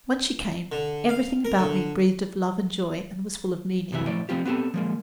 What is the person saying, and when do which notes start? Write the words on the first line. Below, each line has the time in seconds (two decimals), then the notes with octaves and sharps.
When she came, everything about me breathed of love and joy and was full of meaning.
0.72 D3
1.09 F5
1.45 A#4
1.58 D3
3.92 F#2 C3 E3 E5
4.07 A2 F3 D5
4.29 F3 C4 F4 G4
4.45 B3 C4 G4 A4
4.74 F3 G#3 A#3